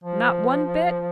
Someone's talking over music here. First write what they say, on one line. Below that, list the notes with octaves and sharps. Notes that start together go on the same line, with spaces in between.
Not one bit?
F3